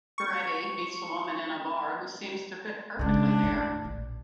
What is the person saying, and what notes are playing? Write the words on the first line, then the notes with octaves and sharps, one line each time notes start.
Coretti meets a woman in a bar who seems to fit perfectly there.
C#6
C#3 G#3 D4
D#2 A2
A#1